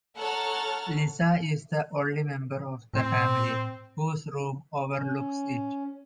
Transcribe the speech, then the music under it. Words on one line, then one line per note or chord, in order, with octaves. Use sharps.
Lisa is the only member of the family whose room overlooks it.
A4 C#5 F#5 A#5 F6 A6
A2 C4
C#4